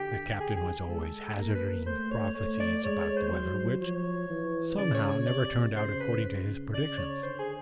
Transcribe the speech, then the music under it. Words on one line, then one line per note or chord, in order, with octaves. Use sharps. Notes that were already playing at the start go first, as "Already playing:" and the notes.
The Captain was always hazarding prophecies about the weather, which somehow never turned out according to his prediction.
Already playing: D3 G4
G#4
G#4
G#3 A4
A#3 A#4
B4
A3 C5
C#5
A3 C#5
D5
G#3 C#5
C#5
C5
F#3
F3 C#5
E3
C#3 D5
C#5
C#5
C3 D5
C#3 C5
B4
C#3
C#3 D5
C#5
D3 C5
G#4